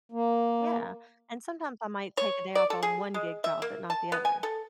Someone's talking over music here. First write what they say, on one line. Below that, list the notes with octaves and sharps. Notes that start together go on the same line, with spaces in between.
Yeah, and sometimes I might take a day off on one gig job, but not the other,
A#3
C#5
D5
A4
G#4
G#3
E5
A#3
A5
B3
G#5
A4